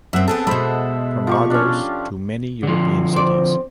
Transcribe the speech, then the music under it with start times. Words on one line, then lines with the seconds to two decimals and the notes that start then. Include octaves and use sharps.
From Lagos to many European cities.
0.13 F#2 C4 E5 F#5
0.28 B3 C4 G#4 A4
0.47 B2 G#3 C5 B5 E6
1.27 F3 G4 C#6
1.50 C#4 D4
2.63 D3 F3
3.13 C4 D5